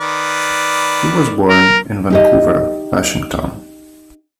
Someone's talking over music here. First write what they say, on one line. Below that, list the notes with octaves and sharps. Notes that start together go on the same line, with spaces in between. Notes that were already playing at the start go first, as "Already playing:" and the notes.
He was born in Vancouver, Washington.
D#3 B4 D5
A#4
D#4 G4 D#5